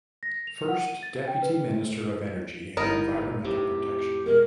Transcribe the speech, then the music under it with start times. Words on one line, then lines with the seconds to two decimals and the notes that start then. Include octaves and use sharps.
First Deputy Minister of Energy and Environmental Protection.
0.23 A#6
0.47 F7
0.69 F#5
0.87 D#7
1.03 A6
1.28 G5
1.42 B4
2.77 G1 B3 D#4 E4 A#4
3.44 F2 A2 C3 G4
4.26 B2 G#3 A#4